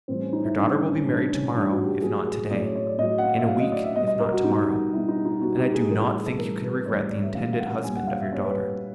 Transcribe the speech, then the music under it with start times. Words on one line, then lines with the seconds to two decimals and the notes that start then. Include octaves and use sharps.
"Your daughter will be married to-morrow, if not to-day--in a week, if not to-morrow; and I do not think you can regret the intended husband of your daughter."
0.08 A2 E3 G3 C4
0.21 C#4
0.33 D#4
0.45 E4
0.57 A2 E3 G3 D4
0.73 C#4
0.89 C#4
1.05 A2 E3 G3 D4
1.30 C#4
1.53 A2 E3 G3 D4
1.71 F#4
1.86 G4
2.02 A2 F#3 G#4
2.27 G#4
2.51 A2 F#3 D5
2.63 C#5
2.75 C#5
2.87 D5
2.98 A2 F#3 D#5
3.18 F#5
3.23 F5
3.39 E5
3.47 A2 F#3 F5
3.59 D#5
3.72 D5
3.84 E5
3.96 B2 G3 D#5
4.07 D#5
4.20 A#4
4.33 F#4
4.44 B2 G3 D#4
4.93 B2 G3 E4
5.09 D#4
5.26 D#4
5.41 B2 G3 F#4
5.57 G4
5.74 G#4
5.89 A2 E3 G3 A#4
6.02 G#4
6.14 G#4
6.26 A4
6.38 A2 E3 G3 A#4
6.63 B4
6.86 A2 E3 G3 C#5
6.99 C#5
7.11 D5
7.22 E5
7.34 A2 E3 G3 F5
7.53 F5
7.60 F#5
7.84 A#2 G3 G#5
7.96 F#5
8.07 F5
8.20 E5
8.32 A#2 G3 C#5
8.44 B4